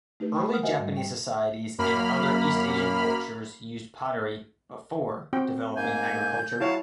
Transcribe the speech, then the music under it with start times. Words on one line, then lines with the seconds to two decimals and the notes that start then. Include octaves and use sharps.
Early Japanese societies and other East Asian cultures used pottery "before" developing agriculture.
0.20 A3 D#4 G4 B4
0.34 G5 A5 B5 C#6
0.50 A#4 C5 F#5 D#6 F6
0.63 F#4 C5 D#5 E5 F#5 G#5
0.79 G#2 G3
0.97 G5
1.78 F#2 A#3 B5 F6
5.33 C4 F#4 G5
5.76 G#2 A#3 G#5 G6
6.60 F#3 E4 F#4 C#5 F5 A5